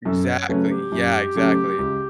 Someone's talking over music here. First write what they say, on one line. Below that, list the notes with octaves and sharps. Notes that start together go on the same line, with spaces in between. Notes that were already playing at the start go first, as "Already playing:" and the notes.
Exactly, yeah, exactly.
F#2 A4
C#5
C#3 F#3 A3 C#4 B4
G4
F#2
C#3 F#3 A3 C#4
C#2